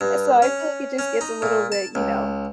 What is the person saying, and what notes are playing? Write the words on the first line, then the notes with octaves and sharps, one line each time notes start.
So, I feel like it just gets a little bit, you know,
G2
C#4
C#4
D#4
A#2
A5
C#2